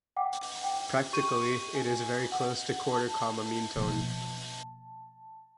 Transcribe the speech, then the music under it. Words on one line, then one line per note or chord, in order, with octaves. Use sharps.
Practically it is very close to quarter-comma meantone.
F#5 G5 D6
G5
G4 C#6 G6 D#7
G#5
F#5
A5
B2 F3 A#3